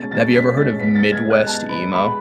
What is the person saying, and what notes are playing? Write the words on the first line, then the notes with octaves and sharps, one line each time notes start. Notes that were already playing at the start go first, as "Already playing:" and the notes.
Have you ever heard of Midwest emo?
Already playing: B2 G#3 C#4 A6
B2 A6
C#4 B6
G#3 A6
B3 B6
A6
G#3
G#6
D#4
F#6
B2 A5
B3 B5
G#3 B5